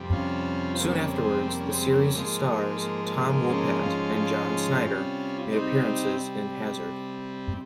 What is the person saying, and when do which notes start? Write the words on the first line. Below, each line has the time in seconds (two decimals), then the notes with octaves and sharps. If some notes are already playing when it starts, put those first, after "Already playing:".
Soon afterwards, the series' stars Tom Wopat and John Schneider made appearances in Hazard.
Already playing: F2 C3 G3
0.12 C#4 F4
0.75 C4
0.80 A#3 C#4
1.14 G#3 C4
1.43 C4
1.47 A#3
1.60 C#4
1.70 G#3 C4
1.92 A#3 C#4
2.15 G#2 F3 G#3 A#3
2.49 A#3
2.82 A#3
3.05 A#3
3.27 A#3
3.49 A#3 C#4
3.83 C#4 F4
4.17 C#4 F4
4.84 C3 G3
5.52 C4 D#4